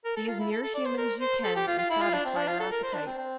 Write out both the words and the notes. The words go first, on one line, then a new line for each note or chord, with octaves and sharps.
"Be as near human as you can and satisfy your appetite."
A#4
A4
F4
E4
A4
A4
D5
C5
A#4
C5
A4
G4
F4
F4
E4
F4
D4
C4
D4
F4
A4
A#4
C5
D4
C4
C4